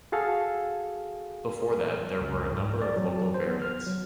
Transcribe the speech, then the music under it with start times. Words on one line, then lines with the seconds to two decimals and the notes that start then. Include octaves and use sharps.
Before that, there were a number of local variants.
0.12 F#4 G#4 A4 F5
2.21 C#2
2.52 G#2
2.82 D5
2.96 F#3
3.34 C5
3.47 B3
3.62 F6
3.87 F#3